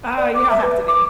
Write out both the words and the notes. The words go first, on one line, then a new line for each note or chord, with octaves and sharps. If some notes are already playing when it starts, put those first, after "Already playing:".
Oh, you don't have to be.
D5
D6
E5
B4
D6